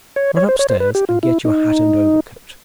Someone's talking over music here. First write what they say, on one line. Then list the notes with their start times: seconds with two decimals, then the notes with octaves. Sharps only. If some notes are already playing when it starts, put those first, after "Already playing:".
"Run upstairs and get your hat and overcoat."
0.16 C#5
0.37 C#5
0.49 C5
0.59 C#5
0.70 C5
0.80 B4
0.95 G4
1.09 F4
1.23 E4
1.45 D#4